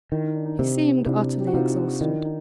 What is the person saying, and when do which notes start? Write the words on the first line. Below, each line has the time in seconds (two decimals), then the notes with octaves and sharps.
He seemed utterly exhausted.
0.12 D#3 E4
0.24 D#4
0.35 D4
0.46 D#4
0.59 C3
1.06 C3 D4 E4
1.40 G4
1.47 F#4
1.54 C3 D#4 F4
2.01 D#3 D4 E4
2.25 D#4